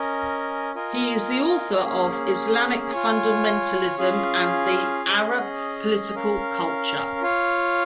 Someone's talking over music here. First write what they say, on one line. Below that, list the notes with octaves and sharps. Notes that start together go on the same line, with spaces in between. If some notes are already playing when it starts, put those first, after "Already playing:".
He is the author of "Islamic Fundamentalism and the Arab Political Culture".
Already playing: C#4 A#4 D#5 G#5
F4 A#4 D#5 G#5
A#3 C#4 G#4
F4 C#5 G#5
C#4 F4 G#4 F5 G#5
C#4 G#4 D#5
C#4 A#4 F5
F4 C#5 F5